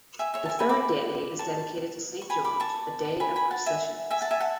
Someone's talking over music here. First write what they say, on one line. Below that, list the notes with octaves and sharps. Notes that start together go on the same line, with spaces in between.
The third day is dedicated to St. George, a day of processions.
E5 G#5
C#5 E5
A5
E5 G#5
G#5 B5
B5 D6
A5 C#6
C#6
G#5 B5
B5 D6
A5 C#6
G#5 B5
G#5 B5
F#5 A5
E5 G#5
E5 G#5
F#5 A5
E5 G#5
F#5 A5